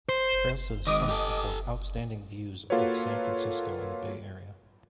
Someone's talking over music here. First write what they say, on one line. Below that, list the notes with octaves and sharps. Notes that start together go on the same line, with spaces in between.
Trails to the summit afford outstanding views of San Francisco and the Bay Area.
C5
D#3 G#3 D#5 D6 D#6
G4 A4
A#3 F4 F#4 A4 B4 C#5